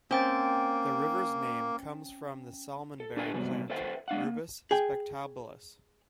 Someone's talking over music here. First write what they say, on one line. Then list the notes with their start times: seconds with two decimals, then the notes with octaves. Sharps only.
The river's name comes from the salmonberry plant, "Rubus spectabilis".
0.11 A#3 C4 C#4 G5 A6
3.00 A4
3.17 D4 G4 A4 B4 G5 G#5
3.34 G#2 C3 F#3 G3 B3
3.70 A4 B4 C5 E5 F#5 G5
4.08 G#3 D4 F5 F#5
4.24 A#3
4.71 G#4 G5